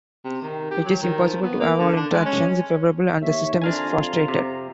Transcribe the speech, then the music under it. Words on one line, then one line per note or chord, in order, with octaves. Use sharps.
It is impossible to have all interactions favourable, and the system is frustrated.
C3
D#3
G4
F#3
D#3
F3
B3
A#3
D3
D4
G#3
C#4
D#2 C#5 E5
F2 D4 F4 F5 G#5 A#5
C3